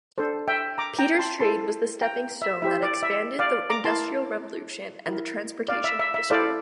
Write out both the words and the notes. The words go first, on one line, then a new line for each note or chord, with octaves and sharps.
Peter's trade was the stepping-stone that expanded the industrial revolution and the transportation industry.
D4 A4 C5
E5 G5
A#5 D6
G5 A#5
A5 C6
E4 A4 C5 A5 C6
G5 A#5
E5
E4 G4 C5 E5
D5
E5
D5 F5
A#5 D6
E4 A#4 A5 C6
E4 A#4
D5 F5
E5
E5
E5
E4 A4 C5 D5 F5